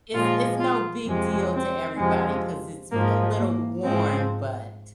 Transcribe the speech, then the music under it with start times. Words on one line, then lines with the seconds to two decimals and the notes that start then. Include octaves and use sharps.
It's it's no big deal to everybody 'cause it's a little worn, but,
0.13 A#2 F3 G#3 F4
0.60 F4
1.06 F2 C3 G#3
1.52 C4
1.98 F2 C3 F3 G#3
2.91 G#2 F3 G#3 A#3
3.38 A#3
3.83 G#2 F3 G#3 C4